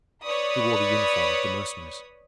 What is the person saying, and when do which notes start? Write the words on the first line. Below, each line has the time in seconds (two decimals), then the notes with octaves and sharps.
He wore the uniform of the Mercenaries.
0.25 B4 C#5 D5 B5 C#6 D#6